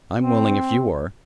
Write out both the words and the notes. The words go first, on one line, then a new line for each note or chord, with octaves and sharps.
"I'm willing if you are."
C4